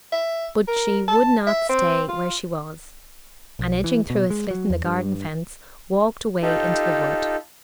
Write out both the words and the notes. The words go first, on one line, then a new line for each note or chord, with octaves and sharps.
But she would not stay where she was; and edging through a slit in the garden-fence, walked away into the wood.
E5
A#4
A5
E5
C4
F4
B1
E3
B2
G#3
F#3
E2
G2
D#4 F4 G4 A4